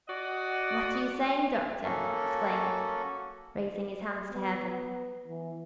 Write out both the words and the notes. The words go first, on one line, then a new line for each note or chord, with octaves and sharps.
"What are you saying, doctor?" he exclaimed, raising his hands to heaven.
F#4 D5 D#5 F#5
A#3 C#4 F#4 A4
B3
E3